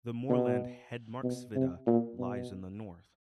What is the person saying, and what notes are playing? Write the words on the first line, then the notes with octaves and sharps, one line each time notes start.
The moorland Hedmarksvidda lies in the north.
B2
B2
C3
A#2
B2